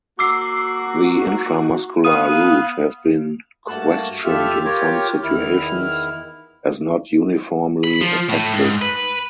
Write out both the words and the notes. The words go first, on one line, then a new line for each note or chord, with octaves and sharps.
The intramuscular route has been questioned in some situations as not uniformly effective.
A#3 F#4 D6 E6 C7
B3 F5 D#6 D#7
G2 A3 A#3 F#4 A5 F#6
F2 F4 G4 A4 E5 F6
F4 G4 A#4 C#5
E2 D#3 E4 F6
B5
F3
A2
G#2
B4